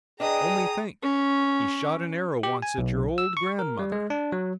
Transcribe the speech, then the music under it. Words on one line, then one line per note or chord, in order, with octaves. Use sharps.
Only think, he shot an arrow once at your old grandmother!
D4 G#4 B4 D#5 G5 A#5 D#6
C#4
G4
G#5
B1
E6
C#6
A#4
G3
G#3
D4
F#3